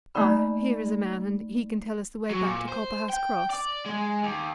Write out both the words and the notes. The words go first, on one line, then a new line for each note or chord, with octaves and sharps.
Ah;--here is a man, and he can tell us the way back to Copperhouse Cross.
A3 A#3 D#4 D5 B5
F#3
A#2
C5
G5
D5
G#3
D#2